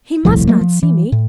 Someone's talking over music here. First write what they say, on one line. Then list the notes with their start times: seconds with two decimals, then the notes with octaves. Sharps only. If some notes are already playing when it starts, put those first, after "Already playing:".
He must not see me.
0.25 D#1 C2 A2 F3
0.47 F#3 A3 A#3
0.61 F3
0.83 E3
1.12 A2